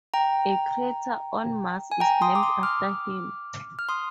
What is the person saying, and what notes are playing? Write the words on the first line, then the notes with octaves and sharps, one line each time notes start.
A crater on Mars is named after him.
G5 A#5
G#5
G5 A#5
C6 D#6
D6
C6 D#6
D6 F6
F6
C6 D#6